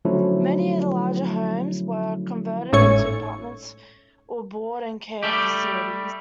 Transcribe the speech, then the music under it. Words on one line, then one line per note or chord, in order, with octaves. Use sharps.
Many of the larger homes were converted into apartments or board and care facilities.
D3 F3 F#3 A3 C#4 E4
G#1 A2 C#4 C#5
G3 A3 G4